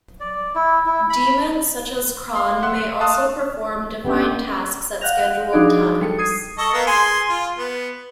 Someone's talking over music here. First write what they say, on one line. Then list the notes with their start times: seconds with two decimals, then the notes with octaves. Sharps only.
Daemons such as cron may also perform defined tasks at scheduled times.
0.20 D5
0.55 E4
0.86 E4
1.10 B5
2.35 F5 C6
2.62 E5 F#5 C6 F#6
3.01 F5 A5 C6 D#6 F6 F#6
4.05 B3 C#4 D4 G4
5.01 F5 F#5 F#6 G6 A#6 F7
5.52 F3 D4 D#4 F#4 G#4 D5
6.01 G3 A4 C#7
6.18 D#6 G#6 C7 D#7
6.58 A4 D#5 C#6
6.73 A#3 B3
6.87 G#4 G#5 C6
7.29 F4
7.58 B3